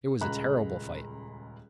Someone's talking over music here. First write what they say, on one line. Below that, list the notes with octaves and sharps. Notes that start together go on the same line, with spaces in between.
It was a terrible fight!
D#1 C#2 G#3 A#5 B5 F#6